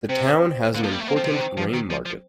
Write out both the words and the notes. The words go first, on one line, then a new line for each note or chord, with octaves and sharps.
The town has an important grain market.
C3 C4
C4
D3 A#3
F3
G3
A3
A#3 C4
F3
C3
D3
D#3
F3
D#3
F3
F3